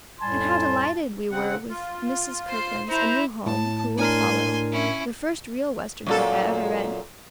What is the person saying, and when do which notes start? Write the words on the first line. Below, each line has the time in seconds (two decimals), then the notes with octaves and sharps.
And how delighted we were with Mrs. Kirkland's "A New Home: Who'll Follow?" the first real Western book I ever read.
0.21 F2 A2 G3 G#5 A5 C6
1.31 C#3 C4 F#5
1.69 F4
2.49 C5 C6
2.89 E4 C5 A#5
3.46 A2 A5
3.98 A2 D4 A#4 G#5 C6
4.72 C#4 E4
6.07 F#2 A#2 A4